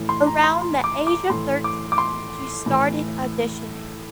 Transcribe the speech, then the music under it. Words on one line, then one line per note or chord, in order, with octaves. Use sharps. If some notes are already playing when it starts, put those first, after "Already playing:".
Around the age of thirteen she started auditioning.
Already playing: A2 E3
C6
A#5
C6
C6
D6
D6
A2 E3 C6
D6
D6
C6
A2 E3